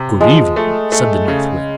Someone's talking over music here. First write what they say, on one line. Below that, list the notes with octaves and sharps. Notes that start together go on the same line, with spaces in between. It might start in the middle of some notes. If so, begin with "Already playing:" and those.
'Good evening!' said the North Wind.
Already playing: C3
F3 G#3
A3
A3
C#3